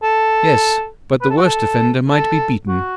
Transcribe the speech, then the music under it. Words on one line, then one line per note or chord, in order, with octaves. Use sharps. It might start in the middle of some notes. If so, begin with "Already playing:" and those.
"Yes; but the worst offender might be beaten."
A4
B4
A4
F#4
A4
A4
F#4